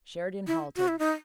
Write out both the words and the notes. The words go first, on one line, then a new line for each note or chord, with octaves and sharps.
Sheridan halted.
E4
F#4
E4
D#4